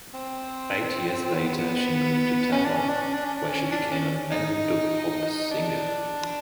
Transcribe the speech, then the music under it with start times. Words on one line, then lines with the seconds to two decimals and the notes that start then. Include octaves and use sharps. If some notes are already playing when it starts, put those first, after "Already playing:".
Eight years later she moved to Taiwan, where she became a Mandopop singer.
0.14 C4
1.33 B3
2.52 C#4
2.65 D4
2.77 C#4
2.89 D4
3.02 C#4
3.14 D4
3.25 C#4
3.37 D4
3.49 C#4
3.72 D4
3.92 C#4
4.32 D#4
5.51 D4